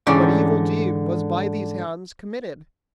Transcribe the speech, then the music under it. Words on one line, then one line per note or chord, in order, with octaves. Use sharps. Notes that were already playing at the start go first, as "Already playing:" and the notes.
What evil deed Was by these hands committed?
G#2 D3 E3 C#4 D5 G5